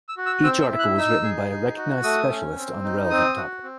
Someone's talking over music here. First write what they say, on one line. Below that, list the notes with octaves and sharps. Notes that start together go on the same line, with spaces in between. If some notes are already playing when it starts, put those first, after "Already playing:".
Each article was written by a recognized specialist on the relevant topic.
E6
F#4
E6
C4 E6
E6
E4
F#6
D#4 E6
G#4
D#4
F#4
A3 D#6
C#4
C4
D#4
C4 D#6
F#4
C4